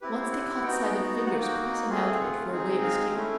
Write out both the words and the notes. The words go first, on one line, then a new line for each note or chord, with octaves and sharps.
Once they caught sight of fingers pressing outward for a way of escape.
C4 E4 G4 B4
C5
C#5
F#5
F#5
B3 D#4 F#4 G5
A#3 D#4 F#4 F#5
G5
A3 C4 F4 G#4
F5
F#5
G#3 C4 D#4 G#4
F5
A3 C#4 E4